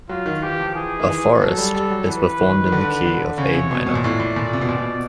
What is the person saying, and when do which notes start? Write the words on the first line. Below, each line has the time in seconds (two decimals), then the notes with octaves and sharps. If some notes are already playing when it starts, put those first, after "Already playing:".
"A Forest" is performed in the key of A minor.
0.09 F#3 F4
0.26 D#3
0.43 E3 G4
0.60 F3
0.75 E3 G#4
1.00 D#3
1.08 E3
1.41 F#3 A4
1.58 G3
1.75 G3
1.90 F#3
2.07 E3 B4
2.40 D#3
2.66 D#3
2.72 D3
3.05 D3
3.38 C#3 C#5
3.54 C3
3.71 B2
3.87 B2
3.95 A#2
4.04 A2 D5
4.20 A2
4.36 A#2
4.53 C3
4.61 B2
4.69 A#2
4.76 B2